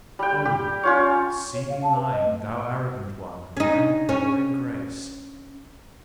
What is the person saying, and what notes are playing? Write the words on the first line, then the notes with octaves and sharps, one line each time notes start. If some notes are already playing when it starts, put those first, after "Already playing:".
Oh, see me lying, thou arrogant one, and imploring grace!
G3 G5
G4
C#4 F4 C#5
C#5
F5
A5
B4
D#5
A3
C#4 D#4
C#4